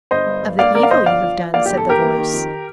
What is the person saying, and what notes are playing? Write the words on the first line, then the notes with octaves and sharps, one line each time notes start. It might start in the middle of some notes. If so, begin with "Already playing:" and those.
"Of the evil you have done," said the voice.
G1 C5 D#5
G2
G2
A#3 D5 F5
G1 A#4 D5
F5
G1 C5 D#5
F3 D5 F5
F3
F3
A#3 D5 F5
G4
G1
A4
A#3 G4 A#4
A#3
D#3
F2